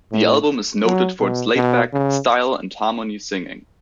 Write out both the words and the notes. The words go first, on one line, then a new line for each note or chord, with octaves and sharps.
The album is noted for its laid-back style and harmony singing.
A2
F#3
B2
B2
C#3